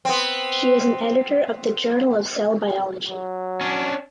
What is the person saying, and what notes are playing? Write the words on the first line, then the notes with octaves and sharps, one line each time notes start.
She is an editor of the Journal of Cell Biology.
B3 C4
F#3
C#4 D4